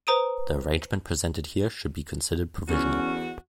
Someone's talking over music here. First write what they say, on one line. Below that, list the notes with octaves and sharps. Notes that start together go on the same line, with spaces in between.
The arrangement presented here should be considered provisional.
B4 C5 A#5 D#6 D7 D#7
E2 D3 C#4 F#4